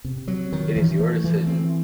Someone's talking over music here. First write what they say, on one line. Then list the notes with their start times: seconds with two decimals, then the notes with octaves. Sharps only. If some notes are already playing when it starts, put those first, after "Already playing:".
It is your decision.
0.04 C3
0.28 F#3
0.52 D#3
0.76 E3
0.99 A3
1.24 E3
1.47 C4